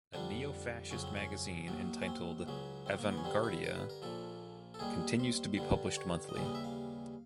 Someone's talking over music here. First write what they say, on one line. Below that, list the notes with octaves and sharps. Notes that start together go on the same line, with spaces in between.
A neofascist magazine entitled "Avanguardia" continues to be published monthly.
F2 D3 G3 D4
F2 C#3 F#3 C#4
C4
C#4
D#2 D#3 F#3
C#4
C4
C#2 C#3 F#3
C4
A#3
B3
C#4
G2 D3 G3 C4
E4
A#4
B4
A#4
A#1 A#2 F3 A4
A4
D#2 D#3 G3 G#4
C5
G2 D3 G3
C#5
D#5
D#2 C#3 E3 G3 D5
D#5
E5
F5